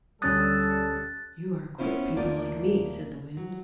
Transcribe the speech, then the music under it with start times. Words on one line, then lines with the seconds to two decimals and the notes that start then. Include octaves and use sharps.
"You are quick people like me," said the Wind.
0.22 D2 G3 C#4 A4 D#6 F#6 A6
1.78 B3 C#4 E4 F4 C5
2.16 D#2 A3 A#3 F4 D5
3.37 F#3